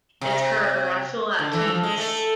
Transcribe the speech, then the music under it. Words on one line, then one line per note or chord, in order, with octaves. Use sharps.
it's her. I feel at peace."
C3
D3
E3
F3
G#3
A3